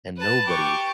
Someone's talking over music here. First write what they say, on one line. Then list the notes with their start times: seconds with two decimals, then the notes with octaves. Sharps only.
And nobody
0.17 B4 A5
0.46 G4 C#6